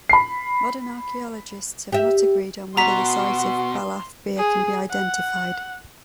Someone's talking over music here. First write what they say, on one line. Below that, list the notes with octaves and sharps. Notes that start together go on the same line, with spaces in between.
Modern archaeologists have not agreed on whether the site of Baalath-Beer can be identified.
B5 C7
G4 E5
B2 F#4 A#5 C6 B6
G#4
F#5